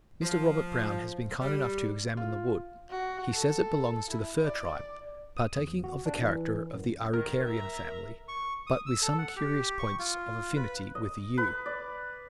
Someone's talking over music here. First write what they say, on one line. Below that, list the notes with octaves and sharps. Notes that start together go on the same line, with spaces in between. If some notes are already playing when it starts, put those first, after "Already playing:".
Mr. Robert Brown has been kind enough to examine the wood: he says it belongs to the fir tribe, partaking of the character of the Araucarian family, but with some curious points of affinity with the yew.
F3
G3
F4
F#4
A4
E4
D5
D#6
E2
F#4
D4
E3
F#2
D#3 A#4
E5 A#5
C#6
D#6
E6
A4
F#5
G4
C#6
F4
B4
D#5
B4
D5